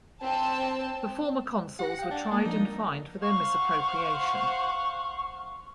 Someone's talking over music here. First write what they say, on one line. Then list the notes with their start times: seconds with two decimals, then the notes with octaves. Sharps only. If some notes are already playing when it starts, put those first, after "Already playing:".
The former consuls were tried and fined for their misappropriation.
0.23 C4 A5 E6
1.79 G4 F#5 A#6
1.99 F5 G5
2.11 D4
2.31 A#3 D4
2.45 F3 D#4 A#4 D#6
3.22 C5 F5 F#5 C#6